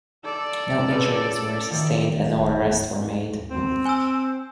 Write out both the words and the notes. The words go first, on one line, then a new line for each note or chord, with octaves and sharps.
No injuries were sustained and no arrests were made.
A4 D5
C#4 G#4 B4
D#3 F3
C4
G#5 E6